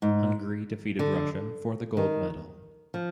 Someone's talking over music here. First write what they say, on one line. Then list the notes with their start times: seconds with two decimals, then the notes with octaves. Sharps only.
Hungary defeated Russia for the gold medal.
0.02 G#2
0.99 D3
1.97 D#3
2.94 F3